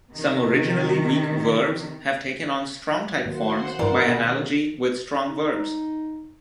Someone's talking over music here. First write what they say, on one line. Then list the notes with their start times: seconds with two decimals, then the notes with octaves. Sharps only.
Some originally weak verbs have taken on strong-type forms by analogy with strong verbs.
0.12 C3 D#3
3.26 D#3 F#3 A#3 C5 F#5 C6
3.79 G2 E3 A#4 D5
4.08 B2 D#3 B3 G#4
5.29 D#4